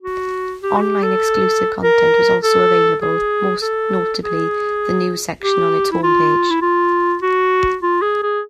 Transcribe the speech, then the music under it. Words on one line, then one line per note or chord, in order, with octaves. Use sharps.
Online exclusive content was also available, most notably the news section on its homepage.
F#4
G4
F#4
G4
A4
A#4
A4
G#4
A4
G#4
G4
E4
F4
E4
F4
F#4
F4
G#4
G#4